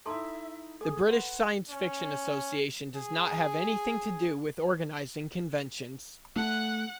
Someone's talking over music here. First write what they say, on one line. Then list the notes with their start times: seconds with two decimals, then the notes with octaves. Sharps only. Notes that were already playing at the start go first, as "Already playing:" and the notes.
The British Science Fiction Association does not have anything to do with organising conventions.
0.06 D#4 E4 A4 E5 A5 C6
0.81 G#4 A4 G#5
1.07 B4 F#5 C6
1.70 C#4
2.96 G#4
6.36 A3 F#5 F#6